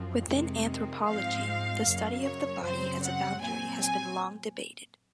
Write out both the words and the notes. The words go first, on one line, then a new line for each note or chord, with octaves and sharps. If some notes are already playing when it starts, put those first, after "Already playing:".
Within anthropology, the study of the body as a boundary has been long debated.
Already playing: F#2 F3 C4
F2 C3 D#3 G#3 C4
G#2 F3 G#3 C4 F5
F#2 C#3 F#3 A#3
C#5
F#2 C#3 F#3 C4 C5
F#5
A#2 F#3 C4 G#5
G#5